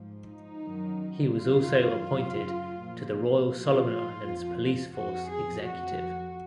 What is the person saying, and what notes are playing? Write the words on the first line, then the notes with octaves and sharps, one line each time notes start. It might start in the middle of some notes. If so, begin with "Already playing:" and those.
He was also appointed to the Royal Solomon Islands Police Force Executive.
Already playing: G#2 F3
D#4
F#2 D#3 F#3
F#2 D#3 F#3 F4
F#2 C#3 F#3
A#2 F3
A#2 F3 F4
F2 F3
F2 F3 F#4
G#4
F2 F3 F#4